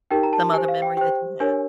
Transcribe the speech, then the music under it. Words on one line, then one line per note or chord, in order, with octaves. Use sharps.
some other memory that you have?
D#4 G4 A#4 G5
A#5
A5
G4 C5 G#5
F5
G5
G4 C5 G5
D4 G4 A#4 C#5 G#5